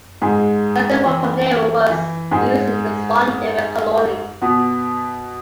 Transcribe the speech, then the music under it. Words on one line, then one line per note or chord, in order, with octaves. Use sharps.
Sandalwood from the area was used in the Swan River Colony.
G#2 G#3
E3
E3
G#2 G#3
B2 B3